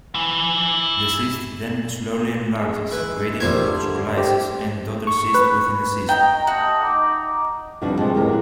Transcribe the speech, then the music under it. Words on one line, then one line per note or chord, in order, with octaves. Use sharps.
The cyst then slowly enlarges, creating protoscolices and daughter cysts within the cyst.
E4 G#5
G#3
E4 B4
F2 D#3 G3 C5 E5 G#6
D3
C4 G4
C#6
B4
D#5 G5 A#5
A3 F#4 A4 D#5
D#4 A#5 D6
F2 B2 G3 D4 F#4 A5
C3 F3 G3 G#3 C4
E2 A2 C#3 G4 A#4
F#3 A#3